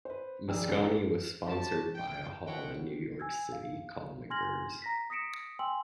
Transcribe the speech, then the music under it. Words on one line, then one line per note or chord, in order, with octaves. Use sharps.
Mosconi was sponsored by a hall in New York City called McGirr's.
B4 C5
F1 D#3 G4 G#4 D5 E6
A1 D#2 A#2 A4 C#5
G4 C5 C#5 A5
G5
B2 E3 F3 C#5 F#5 G5
G#5 E6 G#6
F5
G#5 C6 F6 G#6 A#6 F#7
A#5 A#6 B6
D#6 A#6 B6 C#7 D7 E7
G5 G#5 C6 E6 F#7